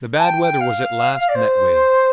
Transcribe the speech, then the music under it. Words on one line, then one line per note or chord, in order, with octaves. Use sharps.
The bad weather was at last met with.
A5
G5
G5
F5
D5
C5